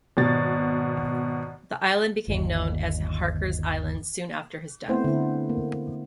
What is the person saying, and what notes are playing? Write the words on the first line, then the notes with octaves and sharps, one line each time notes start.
The island became known as Harkers Island soon after his death.
G#1 B2 A6
G1 D#2
A3 B3 C4 E4 C5
D3 E4
A#3